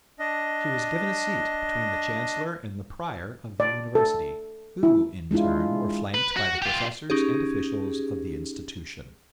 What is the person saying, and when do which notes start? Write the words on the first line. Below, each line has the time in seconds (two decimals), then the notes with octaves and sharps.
She was given a seat between the chancellor and the prior of the university, who, in turn, were flanked by the professors and officials of the institution.
0.19 D4 D#5
3.60 D5
3.95 A4
4.83 E4
5.31 G#3 D4 E4 F4
6.14 B4
6.37 F#4
6.62 F4 G4
7.10 C#4 D#4 G4 G#4